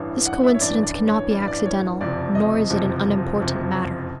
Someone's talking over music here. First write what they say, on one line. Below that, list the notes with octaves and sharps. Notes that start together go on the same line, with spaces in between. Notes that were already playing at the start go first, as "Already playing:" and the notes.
This coincidence cannot be accidental, nor is it an unimportant matter.
Already playing: A1 G2 E3
F#5
E5
C#5
A1 G2 E3 D5
D5
C#5
A1 G2 E3 D5
D5
C#5
F#1 F2 C3 F3 D5
D#5
F#1 F2 C3 F3
F#1 F2 C3 F3